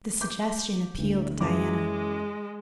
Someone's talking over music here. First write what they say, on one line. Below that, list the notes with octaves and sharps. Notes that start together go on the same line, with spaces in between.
The suggestion appealed to Diana.
D6 G6
D2 A2 D3
F#2 E3 G#3 D6